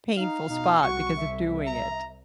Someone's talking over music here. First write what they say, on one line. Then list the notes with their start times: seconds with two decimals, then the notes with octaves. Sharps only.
painful spot because of doing it.
0.18 D#4 F5
0.48 B2 D#4
0.83 C2 F#4 C#6
1.16 E5
1.66 A#5